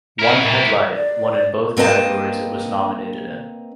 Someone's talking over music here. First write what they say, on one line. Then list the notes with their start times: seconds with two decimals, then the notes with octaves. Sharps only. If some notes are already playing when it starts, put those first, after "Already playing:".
"One Headlight" won in both categories it was nominated in.
0.19 E4 A#4
0.94 D5
1.77 A#3 C4 B4 D#5 A5